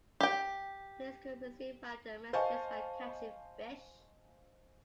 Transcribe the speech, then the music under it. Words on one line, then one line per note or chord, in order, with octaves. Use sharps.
Players could receive random messages by catching fish.
G4 G5
C5 D#5 F5 G#5 A5 C#6